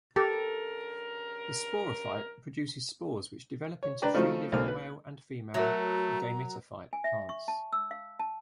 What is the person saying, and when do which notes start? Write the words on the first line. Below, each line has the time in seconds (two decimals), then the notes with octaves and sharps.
The sporophyte produces spores which develop into free-living male and female gametophyte plants.
0.16 G2 C#3 G4 A4 A#4
3.83 C#5
4.02 D4 B4 D5 G5 A#5
4.14 C#3 F3 F#3 A3 C4 D#4
4.52 B1 A#3 C4 A4 F6
4.68 B4
5.54 F#3 A3 A#4 E5 A#5
6.93 G#5
7.04 E5
7.29 C#6
7.48 A5
7.73 E6
7.91 F5
8.19 A5